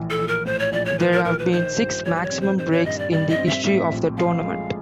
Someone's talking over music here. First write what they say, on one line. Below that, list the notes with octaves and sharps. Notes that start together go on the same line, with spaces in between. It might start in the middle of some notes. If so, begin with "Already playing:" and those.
There have been six maximum breaks in the history of the tournament.
Already playing: A#1 A2 E3
A4
A#1
A#4
A2 C5
C#5
A#1 D5
C#5
E3 B4
A#4
A#1 A#4
B4
D#3 C5
G2
G3 C#5
C5
C#5
C4
C5
D#3 C5
C#5
G2 D#5
D5
G3 D5
D#5
C4
E5
A2 E5
A#1
F3 F5
G#3